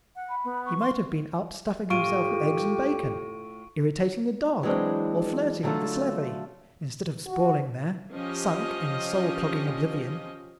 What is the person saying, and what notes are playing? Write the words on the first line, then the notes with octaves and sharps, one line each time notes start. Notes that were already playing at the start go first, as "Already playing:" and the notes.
He might have been up stuffing himself with eggs and bacon, irritating the dog, or flirting with the slavey, instead of sprawling there, sunk in soul-clogging oblivion.
F#5
B5
B3
C#6
C6
A2 F4 G4 C#6 D7 D#7
E3 F#3 G#3 C4 D4
D3 F#3 A3 C4 F4 A4
F#4
F3 C#4 G4 D#5